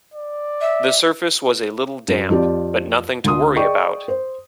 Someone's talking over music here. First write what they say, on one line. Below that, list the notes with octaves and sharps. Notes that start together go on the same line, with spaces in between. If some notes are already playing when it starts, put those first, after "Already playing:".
The surface was a little damp, but nothing to worry about.
D5
E5
F#2
F2 F4 G4 D5
D2 D3 C6 D#6
G#4 D5 D#5 G5 C#6
C5